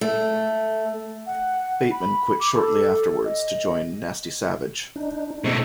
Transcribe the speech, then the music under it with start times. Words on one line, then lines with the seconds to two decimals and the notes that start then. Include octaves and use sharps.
Bateman quit shortly afterwards to join Nasty Savage.
0.01 A3
1.27 F#5
1.92 B5
2.41 D6
2.55 A4
3.25 D#5
4.96 D4 D#4
5.44 B2 G#3 A3 C4 D#4